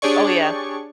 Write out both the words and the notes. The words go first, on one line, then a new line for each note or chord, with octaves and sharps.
Oh, yeah.
D4 G4 G#4 C#5 D5 C#6